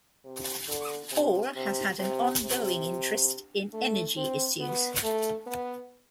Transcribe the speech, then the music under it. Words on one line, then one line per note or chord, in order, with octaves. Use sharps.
Hall has had an ongoing interest in energy issues.
C3
D3
C3
C3
C3
C3
A3
C4
B3
A3
B3